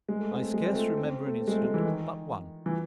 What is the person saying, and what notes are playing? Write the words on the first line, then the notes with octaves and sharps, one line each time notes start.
I scarce remember an incident but one.
G#3
A3
C4
A3
G#3
C4
A3
C4
A3
C4
G#3
A3
G#3
E3
D#3
E3